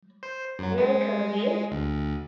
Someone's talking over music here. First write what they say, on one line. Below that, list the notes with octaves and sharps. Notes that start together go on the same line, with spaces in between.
May I come again?
C5
F#2 F#3
G#3
D2